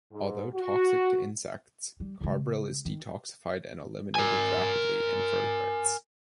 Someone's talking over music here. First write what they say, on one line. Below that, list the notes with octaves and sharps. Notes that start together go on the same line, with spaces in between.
Although toxic to insects, carbaryl is detoxified and eliminated rapidly in vertebrates.
G#2
F#4
G3
C#3 G#3
D#3
A#4 G#5